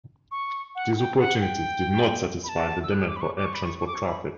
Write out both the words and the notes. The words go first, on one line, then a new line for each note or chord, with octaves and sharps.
These opportunities did not satisfy the demand for air transport traffic.
C#6
F#5
G5
F#5
G5
B5
A5
E6
F#6
D6
B5
C#6
D6
C#6
B5
C#6
C#6
D6
C#6
B5